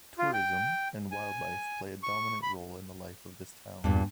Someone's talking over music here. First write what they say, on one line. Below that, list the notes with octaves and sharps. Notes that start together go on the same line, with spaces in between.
Tourism and wildlife play a dominant role in the life of this town.
F4
G5
G#5
C#6
B5
E2 G2 A#2